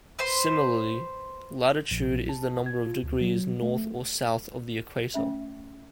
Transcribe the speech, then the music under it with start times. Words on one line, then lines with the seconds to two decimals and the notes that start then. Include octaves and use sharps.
Similarly, latitude is the number of degrees north or south of the Equator.
0.19 B4 C5 C6
1.91 A#1
2.29 A5
2.66 G#6
2.87 F4
3.03 D2
3.21 F#3
3.62 A3
5.14 A3 C#4 E5